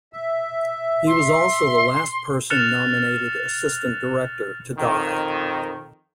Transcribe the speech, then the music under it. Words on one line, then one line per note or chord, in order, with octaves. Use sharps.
He was also the last person nominated Assistant Director to die.
E5
C6
F6 F#6 A6 C#7 E7 F7
F2 D#3